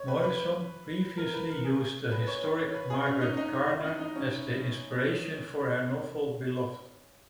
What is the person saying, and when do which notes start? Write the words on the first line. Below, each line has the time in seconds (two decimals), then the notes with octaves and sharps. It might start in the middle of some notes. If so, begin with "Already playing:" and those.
Morrison previously used the historic Margaret Garner as the inspiration for her novel "Beloved".
Already playing: C#5
0.08 B4
0.24 B4
1.18 A#4
1.34 B4
1.49 A#4
1.64 G#4
2.12 B4
2.27 C#5
2.43 B4
2.59 C#5
2.74 B4
2.90 G#4
3.06 C#4
3.21 D#4
3.37 D#4
3.69 E4
3.84 D#4
4.00 D#4
4.16 C#4